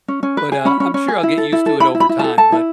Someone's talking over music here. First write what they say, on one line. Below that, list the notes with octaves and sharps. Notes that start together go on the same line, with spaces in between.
but, uh, I'm sure I'll get used to it over time, but
C#4
C#4
B4
G#4
C#4 B5
C#4
C#4
G#4
E4
A4
E4
A4
E4 B5
E4
B5
E4
A5
A4
A4 A5
E4